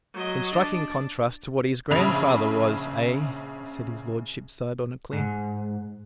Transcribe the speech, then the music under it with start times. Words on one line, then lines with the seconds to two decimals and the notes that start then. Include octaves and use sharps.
"In striking contrast to what his grandfather was, eh?" said his lordship sardonically.
0.14 F#3 D#5
0.54 D4
1.91 A#1 C#3 B5 F7
5.13 G#2